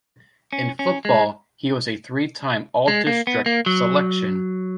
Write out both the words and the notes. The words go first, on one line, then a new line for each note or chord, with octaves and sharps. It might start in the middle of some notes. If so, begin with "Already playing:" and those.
In football, he was a three-time All-District selection.
C#4
C#4
G#3
G#3
A#3
B3
A#3
F#3